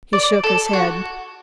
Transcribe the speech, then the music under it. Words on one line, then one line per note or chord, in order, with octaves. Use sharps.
He shook his head.
D5
A4
F#4